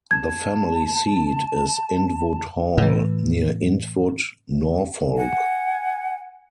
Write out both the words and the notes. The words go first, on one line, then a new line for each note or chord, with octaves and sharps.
The family seat is Intwood Hall, near Intwood, Norfolk.
A5 G#6
A2 E3
F#5 G#5